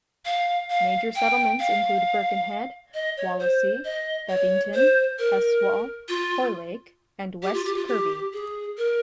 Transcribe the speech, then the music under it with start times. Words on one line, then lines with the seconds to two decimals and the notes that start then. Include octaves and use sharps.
Major settlements include Birkenhead, Wallasey, Bebington, Heswall, Hoylake and West Kirby.
0.25 F5
0.70 F5
1.16 G5
1.59 F5
2.94 D#5
3.17 C#5
3.40 C5
3.84 D#5
4.29 C#5
4.74 C5
5.19 A#4
6.09 F4
7.43 G4
7.54 F4
7.65 G4
7.77 F4
7.88 G4
8.33 G#4
8.78 A#4